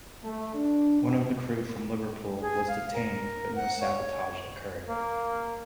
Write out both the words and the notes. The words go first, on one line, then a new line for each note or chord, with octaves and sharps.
One of the crew from Liverpool was detained but no sabotage occurred.
A3
D4
B2
G#4
F5
A#4
F#5
C#5
A#3